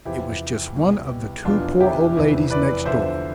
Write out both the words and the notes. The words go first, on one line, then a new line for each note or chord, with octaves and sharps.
It was just one of the two poor old ladies next door.
E2 C3 F3 E4 G4
C2 B2
F1 E2 B2 D4 F4
E4 G4
F1 E2 C3 E3
B4 D5
E2 D3 F3 C5 E5